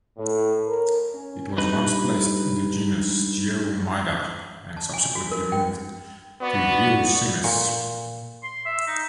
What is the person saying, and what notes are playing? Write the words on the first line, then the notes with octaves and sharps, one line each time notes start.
It was once placed in the genus "Geoemyda" and subsequently moved to "Heosemys".
A2
A#4
C#4
G2 D#4 B4
A5
G#5
F#4
A#4
G5
B3 F#4 D5
A#2
C6
E5
D#4